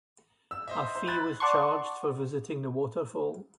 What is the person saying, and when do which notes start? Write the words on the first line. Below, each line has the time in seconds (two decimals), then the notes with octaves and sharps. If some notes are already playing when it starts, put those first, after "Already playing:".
A fee was charged for visiting the waterfall.
0.51 E6
0.68 C5 D#5 E5
0.95 C5
1.07 B5 F#6 A6
1.40 D5 F#5 A5 C6 C#6